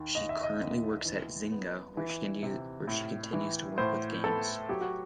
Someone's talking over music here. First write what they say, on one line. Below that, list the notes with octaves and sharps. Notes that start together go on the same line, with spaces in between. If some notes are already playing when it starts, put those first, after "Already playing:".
She currently works at Zynga, where she continues to work with games.
Already playing: D#2 D#3
D#2 D#5
E5
D#5
D#2
E3
B3
E3
C3
A2
E3
A2 C5
B3 A4
F#3 G4
F#4